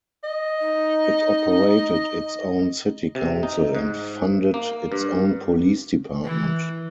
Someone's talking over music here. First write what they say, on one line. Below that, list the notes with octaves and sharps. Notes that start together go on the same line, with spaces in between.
It operated its own city council and funded its own police department.
D#5
D#4
C3
D#4
G#2
A#3
G2
E3